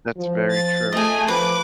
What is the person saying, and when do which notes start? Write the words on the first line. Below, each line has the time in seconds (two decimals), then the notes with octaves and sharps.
That's very true.
0.18 F3
0.50 A6
0.93 A3 G#4 D#5 G#5
1.28 F3 B4 D6